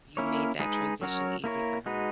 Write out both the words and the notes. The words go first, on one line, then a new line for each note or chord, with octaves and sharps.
you made that transition easy for her,
A#3 C#4 E4 A#4 C#5
G#3 D#4 G#4 B4
F#3 C#4 F#4 A#4 C#5
A#3 E4 A#4 C#5
G#3 D#4 F#4 B4